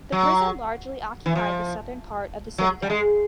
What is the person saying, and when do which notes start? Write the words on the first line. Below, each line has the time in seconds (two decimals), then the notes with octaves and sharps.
The prison largely occupied the southern part of the citadel.
0.12 F#3
1.26 E3
1.36 F3
2.58 F#3
2.82 G3
2.90 G#3